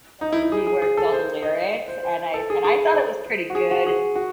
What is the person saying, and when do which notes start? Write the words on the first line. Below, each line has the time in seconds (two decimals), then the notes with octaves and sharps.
that I reworked all the lyrics, and I and I thought it was pretty good and
0.21 D#4
0.33 E4
0.43 E4
0.52 G#4
0.67 G#4
0.82 G#4
0.97 A4
1.13 C5
1.43 D#5
1.88 C5
2.03 C5
2.34 A4
2.50 G#4
2.64 G#4
2.94 C5
3.26 C5
3.50 F#4
3.55 G#4
3.71 F#4
3.86 G#4
4.16 F#4